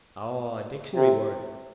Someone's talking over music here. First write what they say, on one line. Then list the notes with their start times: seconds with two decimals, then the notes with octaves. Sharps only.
Oh, a dictionary word.
0.95 C3